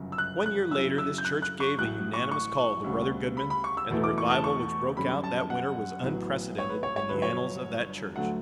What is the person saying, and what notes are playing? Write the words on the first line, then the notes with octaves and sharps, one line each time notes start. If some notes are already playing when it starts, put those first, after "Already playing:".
One year later this church gave a unanimous call to Brother Goodman and the revival which broke out that winter was unprecedented in the annals of that church.
Already playing: G1 F#2 C#3
E6
F#6
F#6
F#2 C#3 F#3 C#4 E4 E6
E6
G6
F#6
F#6
C#6
A1 A2 F#3 F#6
C#6
C#6
D2 C#3 G3
B5
B5
C#6
E6
E2 B2 A3 E4
D6
C#6
A5
C#6
F#2 D3 G3 C#4 B5
A5
F#5
A1 A2 F#3 B3
C#5
B4
C#5
C#5
G1 G2 D3 F#3 B4
C#5
D2 D3 F#3 A3 F#5